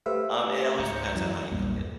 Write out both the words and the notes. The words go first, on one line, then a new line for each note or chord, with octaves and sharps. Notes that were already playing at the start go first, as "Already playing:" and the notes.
um, it always depends on how you cook it.
A3 G4 B4 C5 E5 F5
C#2 G#2 A#5 G6 C#7
F#2 E3 F#3
A#1 E2 G2 A#2